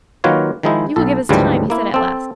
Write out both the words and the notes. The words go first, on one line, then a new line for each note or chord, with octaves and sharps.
"You will give us time," he said at last.
D#3 F#3 A#3 F4 B4 C#5
D#3 F3 G#3 D#4 E4
B1 A4
D2 G#2 C#3 E3 F3 G3
A#3 E4
C4 A4